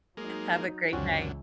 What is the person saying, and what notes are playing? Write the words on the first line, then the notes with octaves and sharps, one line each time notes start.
Have a great night.
F#3 G#3 A#3 D#4
C#2 F#2 D3 E3 C4 C#4 F#4